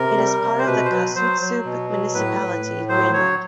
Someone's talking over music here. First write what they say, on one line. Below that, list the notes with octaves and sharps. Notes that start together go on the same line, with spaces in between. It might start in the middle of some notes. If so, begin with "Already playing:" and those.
It is part of the Qaasuitsup municipality, Greenland.
Already playing: C3 A#4
G3
C3
C5
B2 B4
C5
F#3 B4
F#3 C5
F#3
B2
F#3
A2 B4
A2
A2
F#3 C5
F#3 C#5